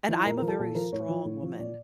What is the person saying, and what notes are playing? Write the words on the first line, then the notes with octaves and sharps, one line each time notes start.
And I'm a very strong woman
F3 E4
A#2 A#4
F3 A#4
A4
A#2 A4
F3 A#4
A2 C#5
F3
A2
F3
A#2 D5